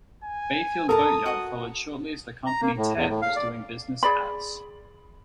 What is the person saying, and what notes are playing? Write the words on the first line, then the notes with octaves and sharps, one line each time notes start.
Bayfield Boat Yard followed shortly as the company Ted was doing business as.
G#5
A4 A#4 A5 A#5 D#6
F#4 D#5
A#5
A#3
A2
E2
A2
F5
D5
G#4 D5 B5